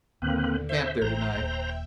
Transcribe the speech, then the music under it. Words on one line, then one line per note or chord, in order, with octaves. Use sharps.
Camp there tonight.
D#2 A#2 D3 D#3 A#3 C4 B4
C5 E5
A1 C5 E5 G5 A#5
D#1 A#2